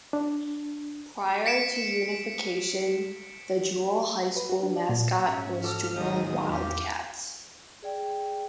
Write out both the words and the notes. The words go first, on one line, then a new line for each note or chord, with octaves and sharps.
Prior to unification, the Jewell High School mascot was Jewell Wildcats.
D4
B6 C#7 D7 E7
B4
F#4
D4
D5
A#2
G#2 C#4 C#5 E5
F#4 A4 D6 F6
A1 D#2 D#3 F#3 G#3 D#4 D#6
E2 G4 F5
G#4 D5 G5